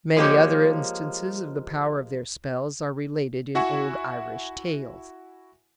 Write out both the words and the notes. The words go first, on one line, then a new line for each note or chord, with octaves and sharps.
Many other instances of the power of their spells are related in old Irish tales.
F3 G#3 A#3 B3 G4 C#5
E4 F#4 E5 F#5 G#5 C#6